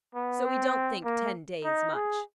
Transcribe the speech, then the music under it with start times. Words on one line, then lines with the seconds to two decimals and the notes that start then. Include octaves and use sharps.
"So we don't think ten days much."
0.15 B3
0.44 C4
1.05 A#3
1.64 D#4
1.94 G#4